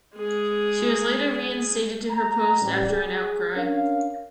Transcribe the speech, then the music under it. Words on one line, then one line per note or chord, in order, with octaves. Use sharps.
She was later re-instated to her post after an outcry.
G#3 G#4
A#5
A1 G3
G#4
C#4 D4 A#4 C#5 F5